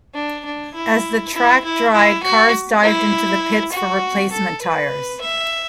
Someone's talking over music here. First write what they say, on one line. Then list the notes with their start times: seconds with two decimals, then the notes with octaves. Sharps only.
As the track dried, cars dived into the pits for replacement tyres.
0.14 D4
0.45 D4
0.74 E4
1.34 E4
1.64 E4
1.93 E4
2.23 F#4
2.82 E4
3.72 F#4
4.31 A4
4.61 B4
5.20 E5